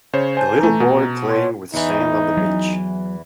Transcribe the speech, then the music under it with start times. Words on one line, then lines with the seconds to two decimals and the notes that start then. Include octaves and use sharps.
A little boy playing with sand on the beach.
0.13 C#3 C5 C#5
0.37 C5 G#5 A5 G6
0.59 E3 A3 A#5
0.80 B2
1.29 C#5 C6
1.74 E2 E3 D#4
2.37 F#3